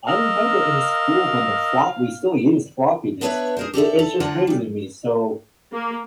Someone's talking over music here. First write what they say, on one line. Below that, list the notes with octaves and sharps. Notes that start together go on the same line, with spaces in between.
I remember in school when the flop we still used floppy disks. It it's just crazy to me. So
A#4 D#5 F5 E6
B3 D4 B4 C#5 E5
G#4 A#4 C5
G4 A4 D5 E5
A4
D2 D3 F4 D5 F#5 A#5
C#3 G3
A#3